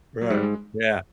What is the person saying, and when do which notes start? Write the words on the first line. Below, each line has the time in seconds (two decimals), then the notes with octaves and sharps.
Right, yeah.
0.22 F#3
0.31 G#2 G3
0.43 G#3